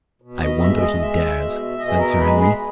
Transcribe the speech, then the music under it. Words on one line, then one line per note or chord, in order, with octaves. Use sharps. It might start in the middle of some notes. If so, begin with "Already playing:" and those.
"I wonder he dares," said Sir Henry.
B2
D#5
G#3 E5
D#5
G#3 E5
B2
B2 D#5
G#4
A#4
G#3 B4
G#4